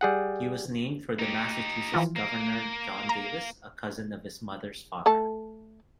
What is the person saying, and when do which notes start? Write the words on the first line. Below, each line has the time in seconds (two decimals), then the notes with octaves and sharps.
He was named for Massachusetts Governor John Davis, a cousin of his mother's father.
0.01 G3 G#4 F#5
1.19 D#4 G4
1.94 E3 F3 F4
2.16 A#3
3.09 A#5
5.06 A3 A4 A5